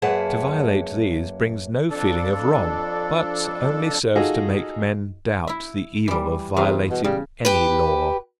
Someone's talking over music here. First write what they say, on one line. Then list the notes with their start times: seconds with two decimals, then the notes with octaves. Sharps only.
To violate these brings no feeling of wrong, but only serves to make men doubt the evil of violating any law.
0.02 F#2 A#3 G#4 B4 F#5 A5
1.90 F2 D4 A4
4.16 D#4 F4 F#4 G#4 A4 D#5
5.47 E4 E5
6.08 E3 G3
6.56 E2 C3 F5
6.90 B2
7.04 C#3 G3
7.45 G4 B4